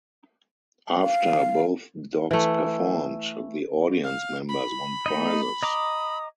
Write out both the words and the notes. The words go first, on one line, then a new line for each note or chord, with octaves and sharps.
After both dogs performed, the audience members won prizes.
F5
E3 A3
F5
B5
A3 D#4 D#5
D#5 A#5 D6 D#6